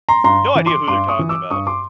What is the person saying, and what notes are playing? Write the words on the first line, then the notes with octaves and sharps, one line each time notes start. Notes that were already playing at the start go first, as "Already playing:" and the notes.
No idea who they're talking about.
A#5 C6
G2 A#5 C6
E3
C6 D6
G2 C6 D6
C#6 D#6
E3
D6 E6
G2 C#6 D#6
C6 D6